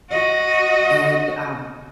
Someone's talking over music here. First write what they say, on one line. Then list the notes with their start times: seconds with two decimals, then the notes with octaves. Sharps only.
and, um
0.10 F#4 D#5